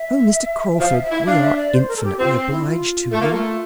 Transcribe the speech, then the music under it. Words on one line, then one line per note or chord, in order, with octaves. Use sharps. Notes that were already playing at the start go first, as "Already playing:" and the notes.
Oh, Mr. Crawford, we are infinitely obliged to you!
Already playing: E5
F3 F5
E5
E5
E4
E5
D4 F5
E5
D5
C5
A#4
A4
G4
C4 F4
E4
F4
A3
A#3
A3